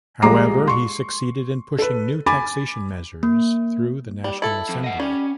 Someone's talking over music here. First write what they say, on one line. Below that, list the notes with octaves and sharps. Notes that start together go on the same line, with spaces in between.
However, he succeeded in pushing new taxation measures through the National Assembly.
A#1 G3 G#3 A#5 D6 C7
C6 C#6
A4 B4
G#5 B5 D6 A6
A#3
G3
E4 A4
F2
D#5 F#5
G3 C#4